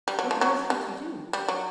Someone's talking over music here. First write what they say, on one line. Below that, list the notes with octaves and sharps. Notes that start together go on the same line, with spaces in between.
What was he to do?
G3
F#3
F3
F#3
G3
G3
F#3